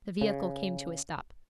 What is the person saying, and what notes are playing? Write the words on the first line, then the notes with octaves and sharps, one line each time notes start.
The vehicle came to a stop.
C#3